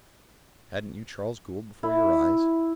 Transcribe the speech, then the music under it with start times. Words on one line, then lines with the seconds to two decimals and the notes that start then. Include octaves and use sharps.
Hadn't you Charles Gould before your eyes?
1.83 E4